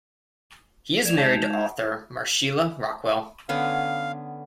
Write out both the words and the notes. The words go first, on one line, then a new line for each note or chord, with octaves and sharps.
He is married to author Marsheila Rockwell.
D5 G#6 E7 F7
G#3 D#4 A5 G6 G#6
D3 B3 C#4 F5